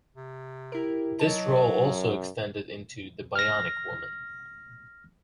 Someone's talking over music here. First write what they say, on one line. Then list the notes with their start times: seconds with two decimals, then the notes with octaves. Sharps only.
This role also extended into "The Bionic Woman".
0.15 C3
0.72 E4 G4 A#4
1.20 F#3 A#4 D#5 A5
1.80 F#2
3.36 F6 A#6